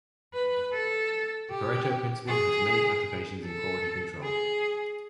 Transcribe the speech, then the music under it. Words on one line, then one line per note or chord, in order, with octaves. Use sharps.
The Pareto principle has many applications in quality control.
B4
A4
G4
G#4
A4
G#4